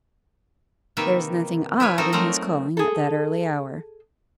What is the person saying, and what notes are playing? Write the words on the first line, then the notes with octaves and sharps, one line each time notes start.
There is nothing odd in his calling at that early hour.
C3 D#3 A#3 B4 E5
E4 F4 B4 C#5
C4 D#4 F#4 A4 A#4
F#3 A3 C4 F4 A#4 F#5
G#4 A4